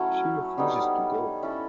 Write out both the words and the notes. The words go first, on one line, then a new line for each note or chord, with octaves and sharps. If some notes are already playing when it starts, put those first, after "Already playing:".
She refuses to go.
Already playing: F#3 A3 C#4 E4
G3 B3 D#4
C#4 E4 A4